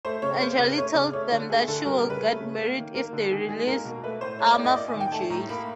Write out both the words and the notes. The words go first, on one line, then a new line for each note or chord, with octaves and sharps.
Anjali tells them that she will get married if they release Amar from jail.
A3 C5
C#3 C#5
A#3 C5
C#3 B4
A3 C#5
C#3 D5
A3 C#5
D3
A3 G#4
D3 A4
G3 A#4
A#4
C#3
B4
A3
C#3
A#3
D#3
A#3 A#4
D3
D#3 G#4
G#3 G#4
A#3 A#4
B2
A3 B4
A2 C5
A3 C#5
D5
A2
D#5
A#3 D5
G#5
D#3
G5
A3 A5
A2 A#5
A#3 B5